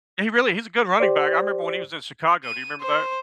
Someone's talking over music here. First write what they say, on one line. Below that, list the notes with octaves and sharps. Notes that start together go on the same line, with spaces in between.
He really he's a good running back. I remember when he was in Chicago. Do you remember that?
G4 C5 D5
D#7
C5